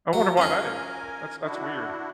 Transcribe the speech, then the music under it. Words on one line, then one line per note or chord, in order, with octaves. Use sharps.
I wonder why that is. That's that's weird.
F#3
C#4 F4 A#4 G#5
D4 E4 F#4